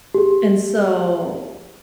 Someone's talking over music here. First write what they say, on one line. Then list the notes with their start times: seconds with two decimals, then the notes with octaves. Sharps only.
and so
0.14 G4 G#4